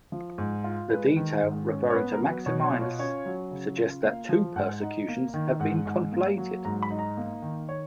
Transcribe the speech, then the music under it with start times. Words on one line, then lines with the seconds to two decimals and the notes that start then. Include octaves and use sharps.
The detail referring to Maximinus suggests that two persecutions have been conflated.
0.12 F3
0.38 G#2
0.64 F4
0.89 G#3 B4
1.16 D#3
1.42 G#2
1.68 C#4
1.90 C#5
1.94 B3 B4
2.12 A#4
2.20 F#3
2.30 B4
2.46 B2 C#5
2.64 C#5
2.72 F4
2.81 C#5
2.99 C#4 C#5
3.26 F#3
3.51 C#3
3.77 F4
4.03 A#3 F5
4.29 F3
4.56 G#2 F#5
4.81 D#4
5.08 A#3
5.34 D#3
5.60 G#2 F#5
5.86 G#2
6.12 A#3
6.38 F#3
6.65 G#2 A#5
6.83 B5
6.90 D#4
6.99 A#5
7.17 A#3
7.42 D#3
7.69 C#5